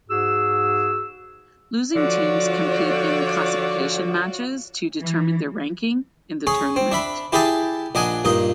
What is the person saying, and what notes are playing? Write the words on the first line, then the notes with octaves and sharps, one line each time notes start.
Losing teams compete in classification matches to determine their ranking in the tournament.
G#2 F#4 G#4 E6
D3 F3 F4 F#4 C#5 D5
E3
C#4 G#4 C#6
C4
D4 E5 B5
E4 G4 G#4 E5 G#5 A5
A#1 D4 D#5 F#5 G#5
G2 A#2 D#4 D#5